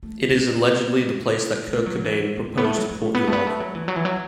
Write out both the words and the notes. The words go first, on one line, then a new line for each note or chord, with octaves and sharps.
It is allegedly the place that Kurt Cobain proposed to Courtney Love.
A3
B3
A3
F#3
E3
B3
A3
B3
A3
F#3
F#3
A3
B3
A3
B3
A3
F#3
E3
F#3
E3
F#3